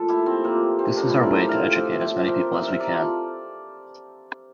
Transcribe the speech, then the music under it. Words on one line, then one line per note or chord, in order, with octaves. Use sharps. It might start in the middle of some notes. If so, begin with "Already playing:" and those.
This is our way to educate as many people as we can.
Already playing: A#2 F3 A4
E4 G4
C4
C3 F3 A#3
C4
A2 F3 A#3 D4
C4 E4
A#4 D5
C5 E5
A2 F3 D5 F5
C5 E5
A#2 F3 C5 E5
A#4 C5 D5
C3 E3 C5 E5
A#4 D5
A#4 D5
F4 A4